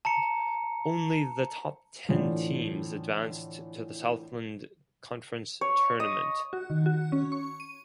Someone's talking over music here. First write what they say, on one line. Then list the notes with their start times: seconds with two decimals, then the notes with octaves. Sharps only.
Only the top ten teams advanced to the Southland Conference Tournament.
0.05 A5 A#5 C#7
2.09 A2 D3 E3 F3
5.61 C#5
6.00 D#5
6.53 F#4
6.70 D#3
6.86 F#4
7.12 C#4
7.32 C#6
7.60 D#7